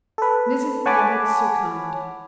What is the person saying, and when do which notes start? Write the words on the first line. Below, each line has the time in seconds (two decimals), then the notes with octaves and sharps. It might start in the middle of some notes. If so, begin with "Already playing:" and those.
Mrs. Abbott succumbed.
0.18 A4 B4
0.86 C#5 F#5 G#5 A5 B5 D6